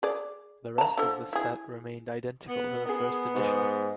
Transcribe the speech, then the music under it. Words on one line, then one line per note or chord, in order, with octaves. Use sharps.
The rest of this set remained identical to the first edition.
G#4 D5
A5 A#5
D3 F3 A4
E4 G#4
B3
B3 G#4 A#4
G#2